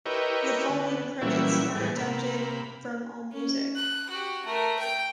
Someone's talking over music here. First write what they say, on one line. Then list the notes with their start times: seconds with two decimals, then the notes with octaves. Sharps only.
The following credits are adapted from AllMusic.
0.06 E4 G4 A#4 B4 C#5 D#5
0.69 D3 B3
1.21 A#2 E3 F#3 G3 C#4 E4
1.76 A2 E3 G3 G#3
1.96 C3 A#3 B5
3.32 C#4
3.75 F#6
4.09 F#4 G4
4.45 A3 A#4
4.79 G5